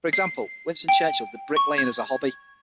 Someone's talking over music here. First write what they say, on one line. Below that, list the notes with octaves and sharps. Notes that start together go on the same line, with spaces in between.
For example, Winston Churchill did bricklaying as a hobby.
C7
G5
C#6
G#6